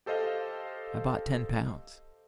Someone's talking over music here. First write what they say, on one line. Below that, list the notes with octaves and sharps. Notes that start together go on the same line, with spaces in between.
I bought ten pounds.
G4 A4 C5 D#5 F5